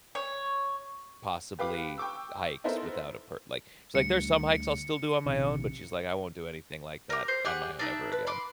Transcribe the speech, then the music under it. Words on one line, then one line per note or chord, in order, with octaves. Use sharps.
possibly hikes without a par like she's like, "There's some hikes I'll still do on my own, but she's, like, I won't do anything like that on my own ever again."
C#5
G4 B4 F5 D6
G5 C#6 D6 E6
B3 D#4 E4 A4 A#4 C5
D2 G3 C#7
A#1 C3 D#3
G4 A#4
C5
G4 G#4 F#5
D4 D#4 E5
B4
B5 C6 D6